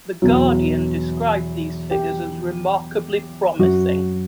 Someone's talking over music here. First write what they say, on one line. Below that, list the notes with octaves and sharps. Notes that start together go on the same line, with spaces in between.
"The Guardian" described these figures as "remarkably promising".
E2 B2 F#3
G4
F#2 F#3 F#4